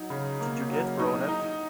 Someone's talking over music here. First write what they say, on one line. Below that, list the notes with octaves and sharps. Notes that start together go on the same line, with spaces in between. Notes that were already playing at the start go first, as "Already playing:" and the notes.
Did you get blown up?
Already playing: F#3 D#4
C#3
A#3
F#3
D#4
D#4